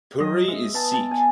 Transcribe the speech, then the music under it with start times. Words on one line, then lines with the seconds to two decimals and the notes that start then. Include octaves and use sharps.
Puri is Sikh.
0.20 F#3 D#5
0.48 G#3 E5
0.74 B3 A5
0.93 A5
1.11 G#5